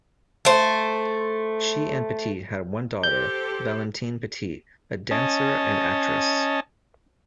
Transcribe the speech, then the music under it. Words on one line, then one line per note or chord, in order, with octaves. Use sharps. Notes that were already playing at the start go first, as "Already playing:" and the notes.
She and Petit had one daughter, Valentine Petit, a dancer and actress.
A3 C5
G4 A4 C5 G6
C#4 D#5 A5